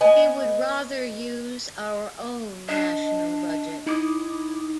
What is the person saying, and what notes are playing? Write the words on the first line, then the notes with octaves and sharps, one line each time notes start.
We would rather use our own national budget.
B3 D#5 G#5
D4 D#5
D#4 E4 D6 D#6